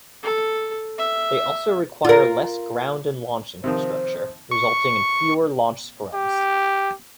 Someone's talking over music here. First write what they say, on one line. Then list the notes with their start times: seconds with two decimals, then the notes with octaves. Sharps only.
They also require less ground and launch infrastructure, resulting in fewer launch scrubs.
0.23 A4
0.98 E5
2.05 F4 A#4
3.64 C3 D#3 F3 C5
4.51 C#6
6.14 G4